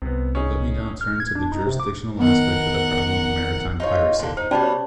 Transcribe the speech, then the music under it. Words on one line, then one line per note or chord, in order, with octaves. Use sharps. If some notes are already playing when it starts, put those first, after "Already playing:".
Let me now turn to the jurisdictional aspect of the problem of maritime piracy.
C2 C3 B3
C#4 D#4 G#4
F6
G#6
D4
D#4
C3
D6
D#3 B3 A#4 F#5
D#4 F4 C#5
A#2 D3
D#4 C5
B2 G3 C#4 D4 D5 A5
C#5